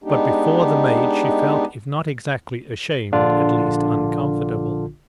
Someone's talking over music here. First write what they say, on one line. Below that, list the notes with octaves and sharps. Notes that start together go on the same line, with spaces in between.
But before the maid she felt, if not exactly ashamed, at least uncomfortable.
G#3 B3 D4 D#4 G4
A#1 D3 D4 F4